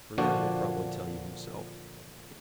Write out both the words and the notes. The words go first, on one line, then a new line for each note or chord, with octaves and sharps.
Bernard will probably tell you himself.
A#2 D3 F3 D4 F#4